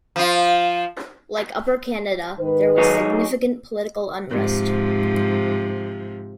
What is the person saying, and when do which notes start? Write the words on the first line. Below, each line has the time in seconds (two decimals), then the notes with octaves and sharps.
Like Upper Canada, there was significant political unrest.
0.16 F3 F4
2.39 G#2 D#3 B4
2.78 F#3 D#4 G#4
4.29 G#2 C3 F3